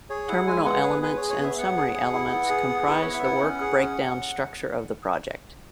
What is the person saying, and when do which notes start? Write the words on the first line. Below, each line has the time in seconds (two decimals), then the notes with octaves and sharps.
Terminal elements and summary elements comprise the work breakdown structure of the project.
0.10 G#4 C#5
0.28 E4 F#5
0.47 G#3 G#5
0.65 B3 F#5
0.83 G#4 B4
1.02 G#4 B4
1.17 C#5
1.21 G#4
1.30 C#5
1.39 B3 E5
1.58 B3 F#5
1.76 G#4
1.95 G#4
2.13 E4
2.32 B3
2.50 G#4
2.69 B3
2.80 G#4
2.86 E4 B4
3.01 B3 C#5
3.14 E5
3.23 E4 F#5
3.42 C#4
3.60 G#4
3.79 C#4